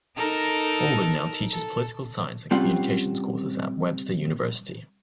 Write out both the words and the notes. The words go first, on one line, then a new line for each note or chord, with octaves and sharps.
Holden now teaches political science and communications courses at Webster University.
D#4 A4 A#4
A4
C3 G3 C4 C#4 F4 F#5